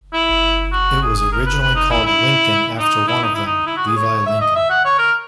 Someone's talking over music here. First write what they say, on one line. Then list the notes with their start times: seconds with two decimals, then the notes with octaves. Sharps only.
It was originally called "Lincoln" after one of them, Levi Lincoln.
0.14 E4
0.72 F#4
1.02 G#4
1.17 G#4
1.32 A#4
1.46 B4
1.61 B4
1.75 D#4
1.90 E4
2.05 E4
2.78 D#4
3.08 E4
3.22 D#4
3.34 E4
3.45 D#4
3.67 E4
3.77 F#4
3.87 G#4
3.96 C#5
4.26 E5
4.41 D#5
4.55 E5
4.70 F#5
4.85 C#5
4.99 A#4